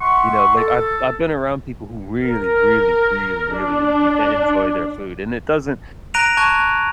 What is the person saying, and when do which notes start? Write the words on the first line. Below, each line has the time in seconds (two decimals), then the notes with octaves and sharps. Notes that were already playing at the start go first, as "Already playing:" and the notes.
you know? Like, I've I've been around people who really, really, really, really enpe e enjoy their food, and it doesn't
0.01 E5 F#5 C6 C#6
0.56 A4
2.23 A#4
3.55 D4
6.14 A#5 F#6 A#6 D7 D#7 F7
6.37 A5 C#6 F#6 G#6 D#7